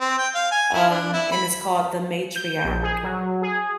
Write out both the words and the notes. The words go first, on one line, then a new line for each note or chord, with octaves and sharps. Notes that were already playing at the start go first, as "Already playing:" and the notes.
um, and it's called The Matriarch,
C4
G5
F5
G#5
E4
D4
E4
B5
G6
A#1
G#4
F#3
G#4